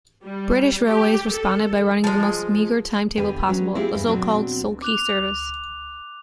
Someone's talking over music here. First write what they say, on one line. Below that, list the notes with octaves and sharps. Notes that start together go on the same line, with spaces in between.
British Railways responded by running the most meagre timetable possible, the so-called "Sulky Service".
G3
G4
A4
F3 G#3
E2 D3 G4 B4 G#5
F#3 C#4
C4 E4 F4 G4 G#4
E2 G2
B2 F#3 C4 D4
D6 F#6 F7